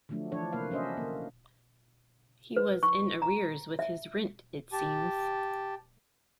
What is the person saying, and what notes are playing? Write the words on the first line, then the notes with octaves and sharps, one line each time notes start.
He was in arrears with his rent, it seems.
D3 F3 F#3 A3 D4
E3 F3 D4 A4 C#5
C3 A#3 B4 F5
F#3 C#4 D4 C5 D#5 E5
D3 A#3
B4
C#6
A#5
E5
G4 A5